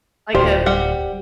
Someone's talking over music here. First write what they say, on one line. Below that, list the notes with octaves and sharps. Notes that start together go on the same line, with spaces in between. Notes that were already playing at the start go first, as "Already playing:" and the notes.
Like a b
D1 F4 G4 C5 D5
G3 F#5